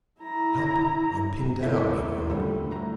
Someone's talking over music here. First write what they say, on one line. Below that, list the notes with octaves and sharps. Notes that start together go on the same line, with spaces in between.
"Help, I'm pinned down," he groaned.
E4 A#5
A2 A3 A#3 E5
A#2 D3 G3 A3
D2 A2 A#5